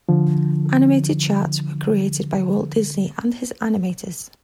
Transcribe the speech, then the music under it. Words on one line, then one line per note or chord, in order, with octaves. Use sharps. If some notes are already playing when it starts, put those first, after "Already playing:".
Animated charts were created by Walt Disney and his animators.
D3 F3